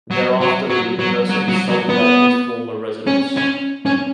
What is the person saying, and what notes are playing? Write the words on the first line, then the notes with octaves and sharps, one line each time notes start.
Thereafter the university sub-let his former residence.
F#3
F#3
F#3
F#3
F#3
F#3
F#3
B3
C#4
C#4
C#4